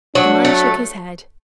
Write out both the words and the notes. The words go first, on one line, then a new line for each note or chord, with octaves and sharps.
The man shook his head.
F#3 D4
A3